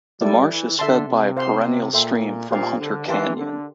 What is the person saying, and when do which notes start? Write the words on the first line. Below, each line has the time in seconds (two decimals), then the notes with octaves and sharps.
The marsh is fed by a perennial stream from Hunter Canyon.
0.21 G3 E4 A4 D5
0.50 E3
0.78 D3 A4 E5 A5 C6
1.07 C3
1.37 C5 F5 C6
1.93 A#2 A4 E5 G5 C6
2.51 A#2 G4 C5 F5
2.79 D3
3.07 E3 G4 A#4 F5 A5 C6
3.36 D3